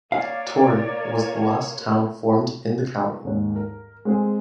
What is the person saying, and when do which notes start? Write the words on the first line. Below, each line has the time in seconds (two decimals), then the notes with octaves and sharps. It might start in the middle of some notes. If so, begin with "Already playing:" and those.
Torrey was the last town formed in the county.
0.12 A#3 C#5 D5 F5
3.24 D#2 G#2
3.56 A#4
4.05 G#3 C4 G#4